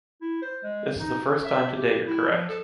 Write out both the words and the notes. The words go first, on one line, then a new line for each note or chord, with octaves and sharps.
This is the first time today you’re correct.
E4
C5
G#3
D#4
C#4
E5
G4
E4
F3
A4